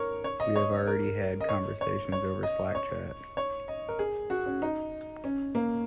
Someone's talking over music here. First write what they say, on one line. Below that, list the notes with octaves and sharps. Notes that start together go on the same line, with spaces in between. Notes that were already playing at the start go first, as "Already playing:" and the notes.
We have already had conversations over Slack chat.
Already playing: A#4 C#5
C#5
D#5
C#5
A#4
D#5
C#5
C#5
C#5
D#5
C#5
C#5
D#5
A#4
G#4
F#4
C#4
D#4
C#4
A#3